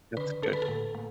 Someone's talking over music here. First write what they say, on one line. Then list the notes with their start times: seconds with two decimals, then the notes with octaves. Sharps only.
That's good.
0.17 D3 B4
0.42 D3 A4
0.53 B4
0.62 A4
0.68 A2
0.95 A2